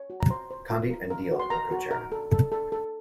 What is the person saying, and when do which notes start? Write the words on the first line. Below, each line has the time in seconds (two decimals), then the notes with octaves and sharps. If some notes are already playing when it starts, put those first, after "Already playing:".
Condit and Deal were co-chairmen.
Already playing: C#5
0.10 F#4
0.20 A#5
0.30 C5 C6
0.50 C5
0.70 F4
0.91 A#4
1.10 A#4
1.31 F#4
1.39 C6
1.50 A#4 A#5
1.71 F#4
1.91 A#4
2.12 A4
2.32 A4
2.52 A4
2.72 A4